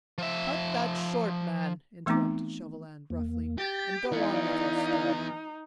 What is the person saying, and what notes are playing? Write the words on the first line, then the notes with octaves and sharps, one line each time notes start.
"Cut that short, man," interrupted Chauvelin, roughly, "and go on with your story."
F3 E5
E3 A3 B3 C4 D#4 D6
E2 A#3
G4 A6
E3 B3 D#4 E4 D5 F5